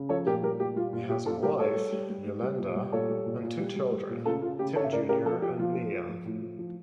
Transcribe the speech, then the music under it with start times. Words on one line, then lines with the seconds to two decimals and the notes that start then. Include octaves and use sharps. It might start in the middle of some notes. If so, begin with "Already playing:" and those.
He has a wife, Yolanda, and two children, Tim Junior and Nia.
Already playing: C#3
0.09 F3 A4 C#5
0.27 A#2 G4 A#4
0.42 G3 G4 A#4
0.59 A#2 G4
0.76 G3 F4
0.93 A#2 F4
1.09 A#2 G4
1.26 A#2 F4 A4
1.43 G3 G4 A#4
1.59 G3 A4 C#5
1.76 G3
1.92 G3
2.10 G3
2.26 G3
2.43 G3
2.59 A#2
2.76 G3
2.92 A#2 A4 C#5
3.09 G3
3.26 A#2
3.43 A#2
3.59 G3
3.76 G3
3.92 G3
4.09 A#2
4.26 C#3 F4 A4
4.42 C#3 F4
4.59 C#3 G4
4.76 C#3 A4 C#5
4.84 E5
4.92 C#3 A#4 D5
5.09 C#3 G4 A#4
5.25 F3 F4 A4
5.42 F3 G4
5.59 F3 F4
5.76 F3
5.92 F3
6.09 F3
6.25 A2
6.42 F3
6.59 F3